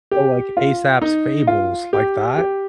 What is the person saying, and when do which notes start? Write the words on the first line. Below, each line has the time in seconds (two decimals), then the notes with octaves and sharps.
Oh, like Aesop's fables, like that?
0.11 G4
0.57 F4
1.02 D#4
1.47 F4
1.93 G4
2.38 G4